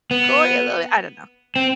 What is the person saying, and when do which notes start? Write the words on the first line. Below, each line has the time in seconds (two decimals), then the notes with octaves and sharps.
gory a little bit. I don't know.
0.11 B3
1.56 C4